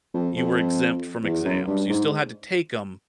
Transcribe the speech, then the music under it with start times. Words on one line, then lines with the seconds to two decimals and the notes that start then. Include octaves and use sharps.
you were exempt from exams. You still had to take 'em,
0.14 F2
0.36 F2
1.24 E2
1.45 F#2
1.68 G2
1.89 G#2